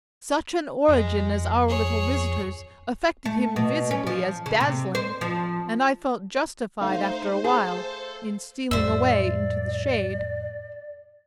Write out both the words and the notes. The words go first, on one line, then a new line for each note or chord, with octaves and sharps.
Such an origin as our little visitor's affected him visibly as dazzling, and I felt justified after a while, in stealing away into the shade.
F2 G#3
G#4 C#5
A3
B2
C#4
F3
C#3
C3
C5
F3
A3 D#4 C5 F5
G#4 A4 A5
F2 A2 G3 C5 D5 E5